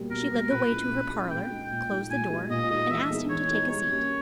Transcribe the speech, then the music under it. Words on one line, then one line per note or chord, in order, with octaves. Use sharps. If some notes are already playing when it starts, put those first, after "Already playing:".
She led the way to her parlor, closed the door, and asked him to take a seat.
Already playing: B2 G3 A#3
B2 A#4
G3 A#3
A#2 B4
G#3 C#4 E4 G#4
A#2
G#3 C#4 E4 G#4
A#2 G5
G#3 D#4
A#2
G#3 D#4
A#2 G#5
G#3 D#4 G4
A#2 D#5
G#3 D#4 G4 D#5
E3 E5
G#3 B3 D#4 G#4
E3 C#5
G#3 B3 D#4 G#4
G3 C#5
A#3 C#4 G4